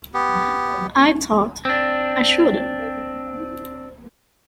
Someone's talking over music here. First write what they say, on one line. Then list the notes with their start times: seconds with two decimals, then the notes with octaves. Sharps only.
I thought I should.
0.14 B3 G4
1.65 C4 D4